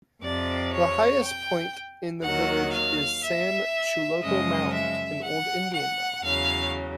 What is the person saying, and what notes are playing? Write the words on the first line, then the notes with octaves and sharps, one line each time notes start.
The highest point in the village is Sam Chuloco Mound, an old Indian mound.
F2 C3 F3 D5
C#5
G5
D#2 D#3 F#3 F#5
F5
E5
F#2 C#3 F3 G#3 D#5
E5
F#5
F#5
E2 C#3 F#3 F5